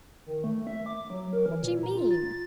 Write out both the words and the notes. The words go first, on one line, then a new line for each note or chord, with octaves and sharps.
"What do you mean?"
D#3
A3
E5
D6
F#3
A#4
E3
A#2
A#5
F4
A6